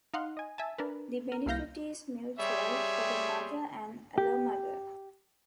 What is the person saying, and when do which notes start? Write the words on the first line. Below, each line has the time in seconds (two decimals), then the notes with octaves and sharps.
The benefit is mutual for the mother and allomother.
0.14 D#4 F5 F#5 C6
0.37 D#5 G#5
0.58 E5 G#5 A5
0.78 D4 A#4 B4
1.32 A#4
1.46 C2 A#3 E4 F5 G6 A#6
2.39 G3 G4 G#4 C#5 E5 C6
4.18 G4